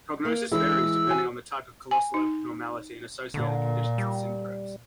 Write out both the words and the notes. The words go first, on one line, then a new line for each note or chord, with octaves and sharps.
Prognosis varies depending on the type of callosal abnormality and associated conditions or syndromes.
A#3
E3 G#3 E4 E6
F#4 G#5
G#5
D#4
A#2 D3
G3